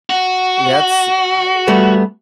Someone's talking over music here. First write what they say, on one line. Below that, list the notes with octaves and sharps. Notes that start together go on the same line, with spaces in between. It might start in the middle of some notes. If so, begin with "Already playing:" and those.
that's I
F#4
G3 A3 B3